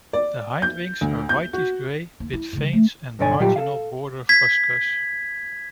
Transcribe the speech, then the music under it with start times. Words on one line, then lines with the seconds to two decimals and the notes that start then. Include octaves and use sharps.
The hindwings are whitish grey with veins and marginal border fuscous.
0.13 D5
0.62 G6
1.01 D2
1.29 G6
1.53 F#4
2.20 D#2
2.33 E4
2.53 C#3 G3
2.73 A3
3.19 B1 G2 D3 C#5 D5 G#5
3.40 A#2 F#3 G3 F4 G4
3.56 A4 F5
4.29 G#6 B6